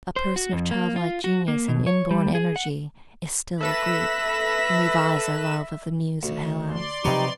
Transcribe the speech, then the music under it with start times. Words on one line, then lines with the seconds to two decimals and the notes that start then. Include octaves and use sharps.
A person of childlike genius and inborn energy is still a Greek, and revives our love of the Muse of Hellas.
0.16 C5
0.36 F#4
0.53 F2
0.71 A#3
0.96 F4
1.24 F#4
1.48 A#3
1.68 B2
1.87 C#5
2.11 G3
2.35 G#4
2.56 F#5
3.61 A4 B4 E5 B5 A#6 E7
6.23 D2
6.70 D5 C6
7.05 C3 F3 F#3 D#4 G4 B4 C#5 D#5